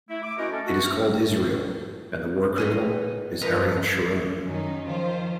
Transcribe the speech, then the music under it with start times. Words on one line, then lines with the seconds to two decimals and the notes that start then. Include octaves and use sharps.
It is called Israel, and the war criminal is Ariel Sharon.
0.08 A3 E4
0.23 D6
0.37 C#4 E4 F#4 A#4 C5 D#5
0.51 A3 C#4 A4
0.65 F#4
0.84 E5 F6
2.58 B3 D#4 G#4
3.41 G2 F3 D#4 A#4 B4
4.46 F#2 D#3 C#4 D#4
4.86 D#3 F3 F4 C5